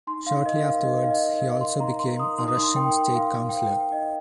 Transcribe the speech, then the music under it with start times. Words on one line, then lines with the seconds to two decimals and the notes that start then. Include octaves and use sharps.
Shortly afterwards, he also became a Russian state councilor.
0.07 D#4 C6
0.26 D#4 F5
0.45 A#4 D#5
0.65 A#4 F5
0.84 D#4 D#5
1.04 D#4 F5
1.11 D#5
1.23 A#4
1.36 D#5
1.42 A#4
1.61 D#4 C6
1.80 D#4 A#5
1.99 A#4 C6
2.19 A#4 D#6
2.38 D#4 C6
2.48 D#6
2.57 D#4 C6
2.76 A#4 G5
2.96 A#4
3.15 D#4 F5
3.35 D#4
3.49 G5
3.53 C5 F5
3.72 C5
3.91 D#4 D#5